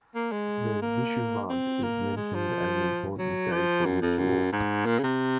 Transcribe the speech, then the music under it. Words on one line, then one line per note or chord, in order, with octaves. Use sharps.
The "vishuvant" is mentioned as an important day for rituals.
A#3
G#3
A#3
C4
A#3
G#3
F3
F#3
F3
F#2
F2
F#2
G#2
A#2
C#3
C3